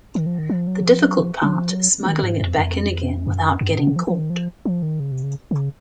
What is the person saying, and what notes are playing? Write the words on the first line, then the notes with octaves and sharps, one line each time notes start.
The difficult part is smuggling it back in again without getting caught.
D#3
F3
D#3
F3
F#3
F3
F#3
F3
F#3
F3
F#3
D#3
G#2
F2
F2
F#2
F#2
G#2
C3
C#3
F3
F3
D#3
F3
F3
D#3
C#3
C3
C#3
C#3